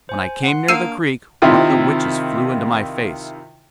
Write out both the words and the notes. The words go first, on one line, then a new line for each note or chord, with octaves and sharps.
When I came near the creek one of the witches flew into my face.
C5 G#5
F#5 C6
A#3 D4 E6 C7 D#7
C3 D#3 E4 F4